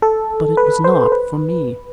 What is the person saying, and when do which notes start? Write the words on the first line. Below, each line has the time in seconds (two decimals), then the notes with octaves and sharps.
But it was not for me.
0.02 A4
0.57 B4
0.84 C5
1.12 B4